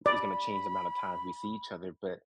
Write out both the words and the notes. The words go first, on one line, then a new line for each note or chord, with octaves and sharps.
is gonna change the amount of time we see each other, but,
D5 B5